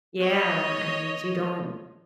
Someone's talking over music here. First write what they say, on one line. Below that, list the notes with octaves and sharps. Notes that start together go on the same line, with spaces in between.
Yeah, and you don't
C#5 D#5